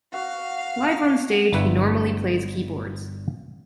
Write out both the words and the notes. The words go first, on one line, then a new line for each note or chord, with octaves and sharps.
Live on stage, he normally plays keyboards.
F#4 F5
G1 E4 B4